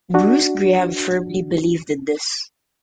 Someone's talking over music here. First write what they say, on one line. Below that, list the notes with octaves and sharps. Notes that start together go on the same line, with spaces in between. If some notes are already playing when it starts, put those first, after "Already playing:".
Bruce Graham firmly believed in this.
D4 F#4